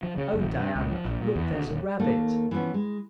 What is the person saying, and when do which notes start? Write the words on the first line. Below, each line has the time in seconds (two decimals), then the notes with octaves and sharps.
Oh, Diana, look, there's a rabbit.
0.03 F3
0.18 C#3
0.33 F#1
0.45 A1
0.59 G2
0.76 C#2
0.92 F3
1.05 A#1
1.21 A#2
1.36 E2
1.52 D2
1.68 D#1
2.00 D#2 A3 A#3
2.51 E3 F3 G3 B3 C#4
2.74 G#3